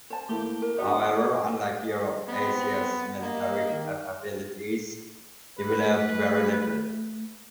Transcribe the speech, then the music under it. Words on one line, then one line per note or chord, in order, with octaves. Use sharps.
However, unlike Europe, Asia's military capabilities developed very little.
C5 A5
A3 A#3 E4 G4
A#4
B3 D4 F#4 D5
D#5
B3 C4
F#5
A#3 D#5
D#3
A3 B4